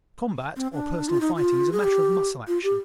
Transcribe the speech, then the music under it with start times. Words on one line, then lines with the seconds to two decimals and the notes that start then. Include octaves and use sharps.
Combat or personal fighting is a matter of muscle-action.
0.56 C4
0.73 D4
1.09 F4
1.20 D#4
1.36 F4
1.72 G#4
1.84 G4
2.47 F4
2.63 G4